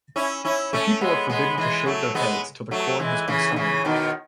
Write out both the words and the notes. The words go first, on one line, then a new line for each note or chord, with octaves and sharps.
The people are forbidden to shave their heads till the corn has been sown.
C#4 E4
C#4 E4
A3 C#4
G#3 B3
G#3 B3
E3 G#3
F#3 A3
G#3 B3
F#3 A3
E3 G#3
C#3 E3
D#3
C#3 E3
B2 D#3